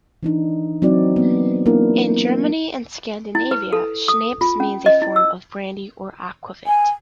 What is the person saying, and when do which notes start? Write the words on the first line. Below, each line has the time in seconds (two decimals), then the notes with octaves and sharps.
In Germany and Scandinavia, schnapps means a form of brandy or aquavit.
0.23 E3 D4 D#4
0.82 F#3 C4 D#4 F#4 D5
1.16 A#3 B3
1.66 A#3 B3 D4 E4 A#4
3.35 E4
3.51 B4
3.73 A4
4.08 D#6
4.41 F4
4.60 C#4
4.86 D#5
5.02 E4
5.16 E6
6.67 G#5